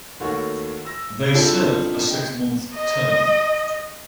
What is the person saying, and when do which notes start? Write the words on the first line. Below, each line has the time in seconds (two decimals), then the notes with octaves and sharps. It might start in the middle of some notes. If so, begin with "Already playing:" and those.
They serve a six-month term.
0.20 D#2 A3 F#4 C#5
0.85 E6 A#6
1.34 C4 D4 E4 F4 G4 A4
2.07 D#5 G5
2.75 D#5